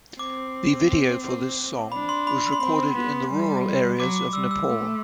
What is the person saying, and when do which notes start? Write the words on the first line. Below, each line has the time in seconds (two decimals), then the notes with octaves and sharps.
The video for this song was recorded in the rural areas of Nepal.
0.19 C4 D6
1.92 D4 B5
2.09 C6
2.27 B5
2.44 B5
2.53 C6
2.60 C4 B5
2.96 B3
3.31 G3
3.99 F#3 D6
4.16 D6
4.33 G3 E6
4.51 E6
4.68 A3